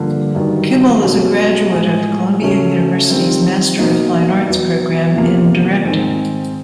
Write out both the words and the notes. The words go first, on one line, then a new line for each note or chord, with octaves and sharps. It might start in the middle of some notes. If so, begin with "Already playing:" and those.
Kimmel is a graduate of Columbia University's Master of Fine Arts program in Directing.
Already playing: G2 D3 F3 A#3
G2 D#3 F#3
B2 F#3 A3 C#4
A2 F3 G#3
C#3 F#3 A3 C#4
D#3 G3 C4 F4
B2 F#3 A#3 D#4
E2 B2 F#3 B3
E2 C3 F3 A#3
G#2 D#3 G#3 C4